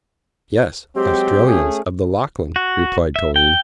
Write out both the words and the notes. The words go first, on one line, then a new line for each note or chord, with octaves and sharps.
"Yes, Australians of the Lachlan," replied Toline.
F#3 G#3 C4 G4
A3 C#4 G#4
F#4
E5
G5